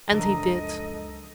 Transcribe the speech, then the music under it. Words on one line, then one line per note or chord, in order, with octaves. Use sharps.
And he did.
C#2 F#2 F3 D4 A4 A#4 D#5